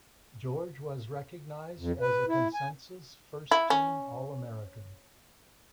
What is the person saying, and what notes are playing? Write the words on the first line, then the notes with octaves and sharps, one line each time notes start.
George was recognized as a consensus first-team All-American.
F2
B4
E4
G#5
E4
C#4